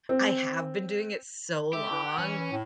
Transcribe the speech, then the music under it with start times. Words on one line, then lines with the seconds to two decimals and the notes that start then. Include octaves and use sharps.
I have been doing it so long,
0.09 C4
1.73 G#3 G4 A4 E5
1.91 E4 B4
2.06 F#5
2.18 E3 C#4
2.51 A2